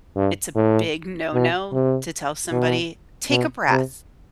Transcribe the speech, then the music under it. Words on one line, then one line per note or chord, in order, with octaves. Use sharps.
it's a big no-no to tell somebody, "Take a breath."
G2
A2
B2
C3
B2
B2
C3